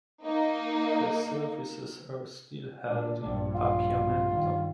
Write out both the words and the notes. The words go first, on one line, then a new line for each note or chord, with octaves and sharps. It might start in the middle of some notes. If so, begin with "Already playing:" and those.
The services are still held in Papiamento.
A#3 D#4
A#2 D4
A#1 G2 D4
F4
G2 D#3